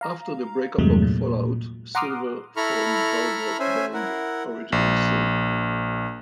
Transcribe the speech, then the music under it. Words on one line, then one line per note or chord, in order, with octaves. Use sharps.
After the breakup of Fallout, Silver formed hard rock band Original Sin.
F5 A#5
E2 G2 C3 F#3 G#3 A3
A#2
F#5 A#5 C6 D6 D#6 F6
E4 A4 A#5 B5 C#6 F6
C#4 C5 E5 G#5
E4 A#4 F#5
A#1